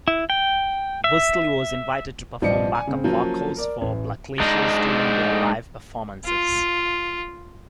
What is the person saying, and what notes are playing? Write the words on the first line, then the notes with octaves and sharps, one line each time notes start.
Vursatyl was invited to perform backup vocals for Blackalicious during their live performances.
E4
G5
E5
A1 F3 G3 D5 D#5 C#7
D5 G#5
C#3 C4
F3 F#3 A#3 C#4 F4
A#4 D5
A1
G#3 D4 D#4
F4